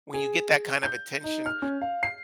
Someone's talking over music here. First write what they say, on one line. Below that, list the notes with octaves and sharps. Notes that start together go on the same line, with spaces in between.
when you get that kind of attention,
G#4
G6
D#4
F6
C#4
F5
C7